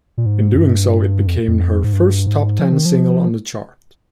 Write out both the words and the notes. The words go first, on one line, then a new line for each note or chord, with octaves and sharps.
In doing so, it became her first top-ten single on the chart.
A#2
G#2
F2
G2
F2
F2
G#2
G2
G#2
F3
D#3
F3